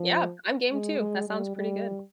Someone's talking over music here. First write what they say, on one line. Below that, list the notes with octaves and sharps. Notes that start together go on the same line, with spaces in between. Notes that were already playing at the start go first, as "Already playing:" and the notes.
Yeah, I'm game too. That sounds pretty good.
Already playing: F3
G#3
G#3
G3
G3